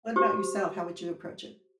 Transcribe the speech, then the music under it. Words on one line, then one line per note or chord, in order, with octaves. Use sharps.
What about yourself? How would you approach it?
F#4 G4 C5 C#6 D6